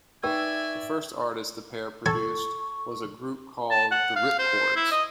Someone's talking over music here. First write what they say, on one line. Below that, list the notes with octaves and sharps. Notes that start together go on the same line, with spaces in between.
The first artist the pair produced was a group called the Rip Chords.
D#4 B4 D5 E5 G5 G#5 C#6 E6
A4 G#5 C#6
A5
F#5
F5
C5
E4
D#5